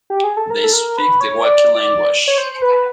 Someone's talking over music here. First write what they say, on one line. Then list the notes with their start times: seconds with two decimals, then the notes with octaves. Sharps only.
They speak the Wakhi language.
0.10 G4
0.24 G#4
0.37 A4
0.50 A#4
0.64 A4
0.73 A#4
0.98 B4
1.21 C#5
1.44 D5
1.75 D5
2.28 C#5
2.38 C5
2.62 B4